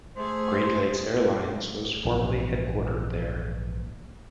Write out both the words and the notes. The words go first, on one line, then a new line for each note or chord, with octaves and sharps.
Great Lakes Airlines was formerly headquartered there.
A3 G#4 C5
A#1 G#2 E3